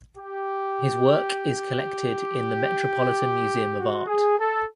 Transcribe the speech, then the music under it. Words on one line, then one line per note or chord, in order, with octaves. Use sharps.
His work is collected in the Metropolitan Museum of Art.
G4
F#4
G#4
A4